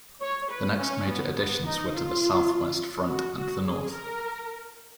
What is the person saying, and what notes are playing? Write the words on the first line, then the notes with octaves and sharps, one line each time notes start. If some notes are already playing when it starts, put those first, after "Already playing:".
The next major additions were to the south-west front and the north.
C#5
B4
C#4
B3
B3
D#4
F4
F#4
F#4
G#4
A#4